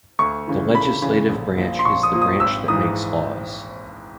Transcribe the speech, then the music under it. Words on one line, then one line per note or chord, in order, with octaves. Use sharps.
The legislative branch is the branch that makes laws.
D2 C#6
C#3 E3
D2 B5
C#3 E3
A#1
A#2 F3
C6
A#1 C#6
D#6
A#2 F3
D#6
G#1 E6
G#2 E3 D#6